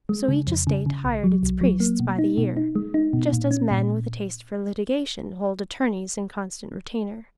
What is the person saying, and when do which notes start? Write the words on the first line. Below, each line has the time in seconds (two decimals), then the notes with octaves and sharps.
So each estate hired its priests by the year, just as men with a taste for litigation hold attorneys in constant retainer.
0.09 G#3
0.28 C#3
0.47 F2
0.67 C#3
0.86 C#3
1.04 B1
1.24 F#3
1.43 B1
1.61 F#3
1.80 A#3
2.00 B2
2.19 D#4
2.38 B2
2.57 D#4
2.75 G#3
2.94 D#4
3.13 B2
3.33 A#2
3.51 C#4
3.71 A#2